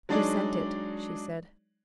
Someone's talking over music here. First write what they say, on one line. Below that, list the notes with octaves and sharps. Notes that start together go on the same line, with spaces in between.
"Who sent it?" she said.
F#3 G#3 D4 D#4 C#5 D5